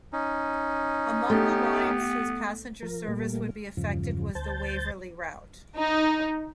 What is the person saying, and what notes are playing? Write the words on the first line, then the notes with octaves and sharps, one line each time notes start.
Among the lines whose passenger service would be affected was the Waverley Route.
C#4 D#4
A3 B3 G4
F3 A#4
A#2 G3 A3 A#3
E2 G2 C#3 F3
D2 C5 A5 G6 A6
D#4